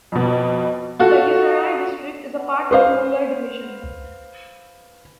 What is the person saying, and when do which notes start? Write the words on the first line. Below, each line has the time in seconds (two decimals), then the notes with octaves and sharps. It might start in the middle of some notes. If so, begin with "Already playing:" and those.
Begusarai district is a part of Munger division.
0.12 F2 B2
0.99 F4 F#4 A4
2.71 B4 C5 F5